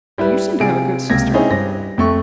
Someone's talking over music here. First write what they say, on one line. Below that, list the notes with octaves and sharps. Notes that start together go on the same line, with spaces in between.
'You seem to have a good sister.'
G3 E4 G4 B4
C3 F4 G#4 D7
C#2 C3 A#3 G#6 A#6
C4 C#4 D#4 E4 G#4
G2 C5 A#6
F2 A3 C#6